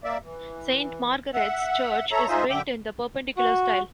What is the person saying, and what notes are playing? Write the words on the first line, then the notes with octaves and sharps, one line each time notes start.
Saint Margaret's Church is built in the Perpendicular style.
A#3 D5 E5
E3
E5 F#5
A4 C#5 E5 A#5
D#4 F4 G#4 C5 D#5 E5
F#2 D3 E5 G5 D6
F#4